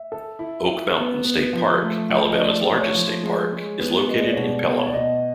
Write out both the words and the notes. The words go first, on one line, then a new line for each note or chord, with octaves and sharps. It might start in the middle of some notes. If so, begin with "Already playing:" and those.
Oak Mountain State Park, Alabama's largest state park, is located in Pelham.
Already playing: E5
A4
E4
E4
B3
B3
F3
A3
F3
D#5
A3 D5
A3
C#5
F3
G#3
G#3
B3
G#3 D#5
D5
B2 C#5
D5
B2
C#5
D5
B2 D#5